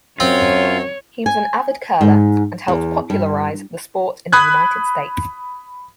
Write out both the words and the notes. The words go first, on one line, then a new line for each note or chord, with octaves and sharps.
He was an avid curler, and helped popularize the sport in the United States.
F#2 C4 F4 C#5
G#5
G#2
E2
G2
B5 D#6 F#6 G#6